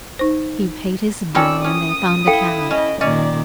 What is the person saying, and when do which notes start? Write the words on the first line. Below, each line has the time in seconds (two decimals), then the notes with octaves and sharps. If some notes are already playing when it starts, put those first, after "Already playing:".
He paid his bill and they found a cab.
0.19 D#4 C5
1.35 C4 C#4 F4 A4 D5 G5 E6
1.64 C#4 D#6
2.27 E4 A4 F5 G5
2.71 C#4 D#5
3.01 A#2 D#3 C#4 D5 D#5